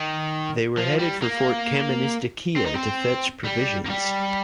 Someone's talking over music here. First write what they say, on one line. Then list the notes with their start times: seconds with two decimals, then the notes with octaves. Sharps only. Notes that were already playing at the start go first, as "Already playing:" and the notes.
They were headed for Fort Kaministiquia to fetch provisions.
Already playing: D#3
0.77 F3
0.99 G3
1.22 A#3
2.56 C4
2.66 D#4
2.75 C4
3.45 G3
3.86 A#3
3.89 G3